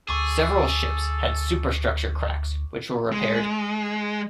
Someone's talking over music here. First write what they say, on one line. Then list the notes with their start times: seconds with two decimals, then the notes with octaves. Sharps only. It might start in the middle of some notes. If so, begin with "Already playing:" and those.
Several ships had superstructure cracks which were repaired.
0.09 D2 G#4 A4 C#6 D6
3.12 G#3